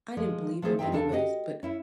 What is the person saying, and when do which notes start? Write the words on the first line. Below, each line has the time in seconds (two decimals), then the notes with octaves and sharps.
"I didn't believe him anyways, but
0.17 F3 G#3 D5
0.62 F3 A3 C4 G#4 C5
0.79 G2 G3 C4 D#4 E5 G5
0.92 E2 C#3 D4 A4 D5
1.12 F#4 G4 D#5
1.63 C#4 E4